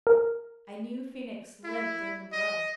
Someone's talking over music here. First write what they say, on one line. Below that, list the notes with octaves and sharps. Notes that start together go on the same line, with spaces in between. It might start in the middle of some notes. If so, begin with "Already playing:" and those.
A new Phoenix lived in the world.
A#4
E4
D#5